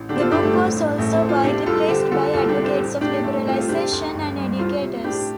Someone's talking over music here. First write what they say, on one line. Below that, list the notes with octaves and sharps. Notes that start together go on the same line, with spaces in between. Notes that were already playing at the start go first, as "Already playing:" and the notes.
The book was also widely praised by advocates of liberalization and educators.
Already playing: A1
D3 D4 G4
C5
F4 A4
G1 D4 G4
A3 D4
A2 C4
A1
A1 A3
C4
A1
C4 F4
C3 D4 G4
C2 F4 A4
D3 G4 C5
D3 F4 A4
C2 F4 A4
D4 G4
C3
G4 C5
A1
A2 D4 G4
C2 A3
C4
C3 C4 F4
G4
C4 F4
C3 D4 G4
D2
G1
G2
C2 C4 F4
C3
A2 D4 G4